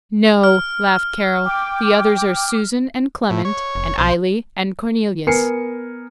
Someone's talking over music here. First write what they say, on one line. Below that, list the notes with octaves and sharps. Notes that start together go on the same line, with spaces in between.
"No," laughed Carol, "the others are Susan, and Clement, and Eily, and Cornelius."
F6
G5 D6
A2
C#5
F1
B1 C5
B3 A#4 G#5 C7 C#7